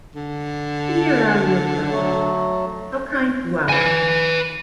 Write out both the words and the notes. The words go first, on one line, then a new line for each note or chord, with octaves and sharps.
Here are your flowers "How kind you are!"
D3
F#3 A3
B4 G#5